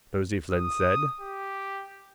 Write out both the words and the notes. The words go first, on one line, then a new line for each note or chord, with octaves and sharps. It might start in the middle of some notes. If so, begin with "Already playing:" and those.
Nosey Flynn said.
D#6
G4